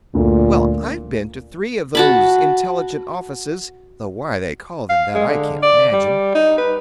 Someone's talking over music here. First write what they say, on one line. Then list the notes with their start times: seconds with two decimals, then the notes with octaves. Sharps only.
Well, I've been to three of those intelligence offices--though why they call them that I can't imagine.
0.15 D2 A#2
1.95 F#4 A5 B5
4.89 F5
5.14 G#3
5.28 D3
5.63 D5
5.93 G3
6.35 D#4
6.58 B4